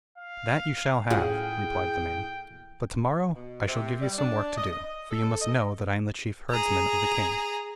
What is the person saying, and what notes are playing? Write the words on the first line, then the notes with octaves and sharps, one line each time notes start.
'That you shall have,' replied the man; 'but to-morrow I shall give you some work to do, for you must know that I am the chief herdsman of the king.'
F5
A2 C#4 F4 G#4 C#5 F#5 G5 F6
B2
C3
G3
D4
D#5
D#5
A4
D#5
G#4 A#5